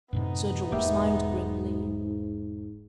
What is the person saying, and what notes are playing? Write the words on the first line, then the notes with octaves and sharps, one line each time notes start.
Sir George smiled grimly.
F#2 A2 C3 B3 D#4
E1 G#2 A#3 G4 E5